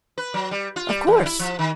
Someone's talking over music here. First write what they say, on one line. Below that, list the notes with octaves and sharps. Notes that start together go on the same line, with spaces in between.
"Of course."
B4
F#3
G3
F4
G3
E2
E4
F3
D#3